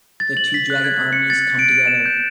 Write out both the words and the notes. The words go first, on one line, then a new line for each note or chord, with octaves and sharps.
The two dragon armies come together.
A6
F#7
B6
F#6
G#6
C#7
A6
D7
D7
E7
G6